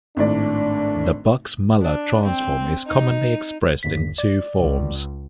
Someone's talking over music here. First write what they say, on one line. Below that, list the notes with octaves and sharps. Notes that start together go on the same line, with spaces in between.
The Box-Muller transform is commonly expressed in two forms.
G#1 A2 D4 D5
D4
C4
D#4
G1 D#2 B6
D5
C#2